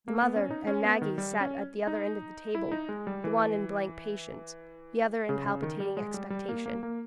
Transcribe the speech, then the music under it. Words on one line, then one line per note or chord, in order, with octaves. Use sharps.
The mother and Maggie sat at the other end of the table, the one in blank patience, the other in palpitating expectation.
A#3
B3
C#4
D#4
C#4
B3
D#3
G3
C#4
D#4
E4
D#4
G#3
G3
E3
C#3
C#3
D#3
G3
G#3
G3
G3
A#3
A#3
A#3